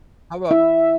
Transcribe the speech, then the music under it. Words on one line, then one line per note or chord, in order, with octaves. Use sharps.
How 'bout
E4 E5